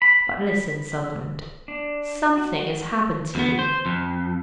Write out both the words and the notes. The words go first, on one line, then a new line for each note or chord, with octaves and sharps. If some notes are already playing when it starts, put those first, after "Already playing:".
But listen, Sutherland. Something has happened to you.
B5
D4
F#4
E2 B3
C5
F2